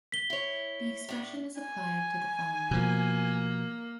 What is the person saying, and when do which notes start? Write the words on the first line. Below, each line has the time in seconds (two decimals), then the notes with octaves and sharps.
The expression is applied to the following.
0.12 B6 G7
0.30 E4 C#5
1.09 A2 D4
1.59 G#5
2.71 B2 F3 A#3